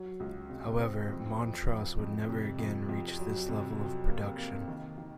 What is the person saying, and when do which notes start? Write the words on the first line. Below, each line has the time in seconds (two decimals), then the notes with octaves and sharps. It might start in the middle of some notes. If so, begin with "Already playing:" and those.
However, Montross would never again reach this level of production.
Already playing: F#3
0.20 C#2
0.50 C3
0.80 C4
1.09 F2
1.39 F2
1.69 F3
1.99 F2
2.29 C3
2.58 F2
2.89 F2
3.19 F#3
3.49 C3
3.78 F#3
4.09 A#3
4.38 A#3
4.68 D#3
4.98 D#3